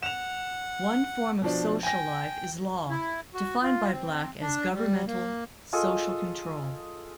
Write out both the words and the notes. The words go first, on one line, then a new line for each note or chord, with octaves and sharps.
One form of social life is law, defined by Black as governmental social control.
F#5 E7 F7
B2 F3 D4
G5 G#5 A#6
E4
F#4
F4
C4
D4
G3
A#3
F4 G#4 A4 D#5